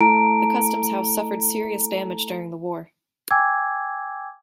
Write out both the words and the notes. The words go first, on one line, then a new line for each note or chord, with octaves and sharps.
The Customs House suffered serious damage during the war.
A3 E4 A4 A5 A#5 D7
G5 G#5 D6 E6 G#6